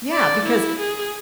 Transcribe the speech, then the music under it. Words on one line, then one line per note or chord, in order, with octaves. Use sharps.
yeah, because
D5
E4
G#4